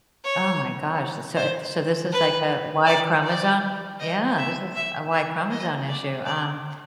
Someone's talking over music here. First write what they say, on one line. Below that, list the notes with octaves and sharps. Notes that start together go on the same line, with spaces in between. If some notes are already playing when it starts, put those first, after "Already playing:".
Oh my gosh. So, eh so this is, like, a Y chromosome Yeah, this is a Y chromosome issue. Um
C#5
C5
B4
D5
D5
D#5
E5
E5
E5
D#5
D5
D5